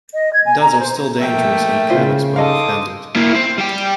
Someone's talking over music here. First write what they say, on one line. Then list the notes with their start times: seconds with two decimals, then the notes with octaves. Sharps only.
Duds are still dangerous, and can explode if handled.
0.13 D#5
0.32 G#6
0.45 G#5
0.59 A#5
0.80 C5
1.18 F3 A3 A#3 E5 G5
1.89 C#3 E4 F4 C5
2.36 D#4 A4 D#5 F5 C6 D6 D#6
3.16 A#3 E4
3.35 C4
3.58 G3 G5